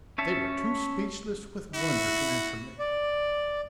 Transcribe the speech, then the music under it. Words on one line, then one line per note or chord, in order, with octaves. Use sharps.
They were too speechless with wonder to answer me.
C#4 C#5 E5 A5
E4 F#4
D5